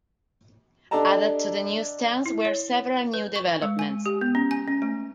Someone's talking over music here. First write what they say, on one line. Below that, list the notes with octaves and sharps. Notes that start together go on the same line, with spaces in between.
Added to the new stands were several new developments.
D4 G4 A4 D#5 A5 A#5
E4
C#5
B4
C#6
G#3
G#5
G4
B3
C#4
G#5
C#4
A3